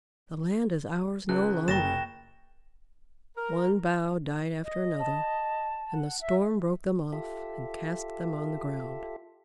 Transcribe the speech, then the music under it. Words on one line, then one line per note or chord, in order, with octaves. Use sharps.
"The land is ours no longer." One bough died after another, and the Storm broke them off and cast them on the ground.
C#2 C#4 G#4 F#6
F#1 G5 A#5 C#6 A6 A#6 E7
A#4
D#5
A5
F#5
E5
F4 G4 A4 E5